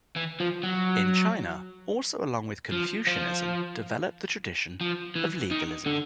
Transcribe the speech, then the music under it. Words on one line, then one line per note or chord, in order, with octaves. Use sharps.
In China also along with Confucianism developed the tradition of Legalism.
E3
F3
F#3
F3
F3
F3
E3
D#3
D3